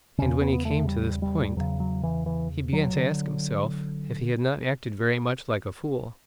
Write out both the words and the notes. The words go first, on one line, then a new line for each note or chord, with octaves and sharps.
And when he came to this point, he began to ask himself, if he had not acted very much like a fool.
E2 C#3 C#4
B3
B3
A3
G3
G3
E2 C#3 F#3
F#3
E3
E3
F#3
D3